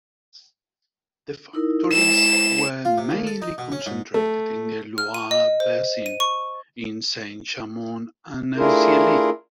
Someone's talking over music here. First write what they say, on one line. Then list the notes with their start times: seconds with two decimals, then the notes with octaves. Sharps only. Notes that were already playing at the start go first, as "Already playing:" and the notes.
The factories were mainly concentrated in the Loire basin, in Saint-Chamond and Assailly.
1.53 D#4 E4 A#4
1.93 G#3 E4 E7
2.85 F4
2.98 C3
3.11 D#2
3.27 A4
3.42 D#4
3.58 B2
3.72 C#4
3.86 G#2
4.14 A3
4.98 F6
5.14 D#7
5.31 D#5
5.60 C5
6.06 D#7
6.20 C#6
8.57 A3 D4 E4 F4 G#4 A#4